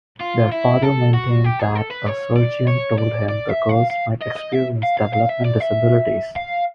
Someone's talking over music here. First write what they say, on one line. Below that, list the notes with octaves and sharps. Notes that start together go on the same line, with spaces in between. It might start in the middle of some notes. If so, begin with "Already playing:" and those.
Their father maintained that a surgeon told him the girls might experience developmental disabilities.
F4
E4
A4
F#4
G4
G#4
A4
B4
C#5
D5
C#5
D5
D5
E5
F5
F5
D#5
D#5
E5
F5
F5
F5
E5
D5
E5
F5